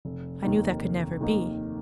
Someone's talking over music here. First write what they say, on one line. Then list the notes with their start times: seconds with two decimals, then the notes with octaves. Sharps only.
I knew that could never be.
0.05 F1
0.43 D#2 D#3 A#3 D#4
0.82 F1
1.20 D#2 D#3 A#3 D#4